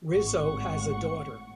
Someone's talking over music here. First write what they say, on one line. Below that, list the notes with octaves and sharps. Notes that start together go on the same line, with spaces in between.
Rizzo has a daughter.
G#1 A2 F#5 C#6